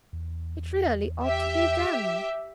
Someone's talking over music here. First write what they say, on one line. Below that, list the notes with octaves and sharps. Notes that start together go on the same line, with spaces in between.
It really ought to be done.
E2
G4 E5